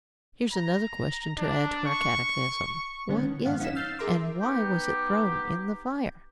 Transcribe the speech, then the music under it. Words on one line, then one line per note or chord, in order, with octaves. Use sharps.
Here's another question to add to our catechism: what is it, and why was it thrown in the fire?
A#5
D4
C#6
D3 G#3 B3 C#4
D#3
F2 G#2 D#3 B3 F5 F#5
C#4 D#4 B6 E7
E6 F6 G6 A6 C7
G#4 A#4 E5 A#5 C6 D6
B3 D#4 G4